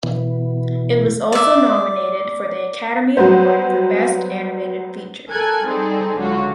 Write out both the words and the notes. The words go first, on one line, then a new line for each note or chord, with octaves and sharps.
It was also nominated for the Academy Award for Best Animated Feature.
B2 E3
D5 E5
F#3 G3 B3 C5
A4 A#4 G#5 F#6 G#6
G3 C4 D#4 G#4 A4
C#2 D3 F#3 F4 F#4